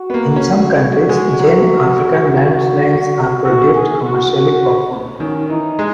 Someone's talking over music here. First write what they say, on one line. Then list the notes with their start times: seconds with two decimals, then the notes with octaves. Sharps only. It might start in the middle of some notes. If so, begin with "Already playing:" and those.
In some countries, giant African land snails are produced commercially for food.
Already playing: F#4
0.10 B3
0.14 A#3
0.36 C#4
0.80 F#4
1.09 G#3
1.39 F#3
2.56 F#4
3.00 F#4
3.44 E3 F#4
3.74 E3 G#4
4.03 F#4
4.32 F#4
5.20 D#3 C#4
5.49 E3 D#4
5.79 G#3